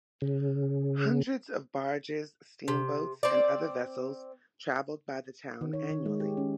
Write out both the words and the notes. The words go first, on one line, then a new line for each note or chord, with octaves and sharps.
Hundreds of barges, steamboats, and other vessels traveled by the town annually.
C#3
C3
C4 D5
D#3
C#5
D#3
G#3
G4
C#4